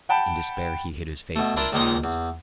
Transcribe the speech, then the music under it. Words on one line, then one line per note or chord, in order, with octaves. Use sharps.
In despair he hid his face in his hands.
F#5 G5 A5 B5
B2 A3
D4 E4 F4 A#4 D5
C#2 A#2 D#3 G#3 D#4 A#5
E2